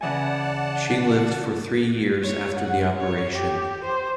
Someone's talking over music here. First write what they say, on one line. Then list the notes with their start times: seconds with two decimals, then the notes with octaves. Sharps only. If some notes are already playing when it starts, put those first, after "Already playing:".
She lived for three years after the operation.
0.01 C#3 E3 D5 F#5 G#5 A5
2.23 C#5
2.57 F#5
2.98 C#5
3.36 G4
3.85 C5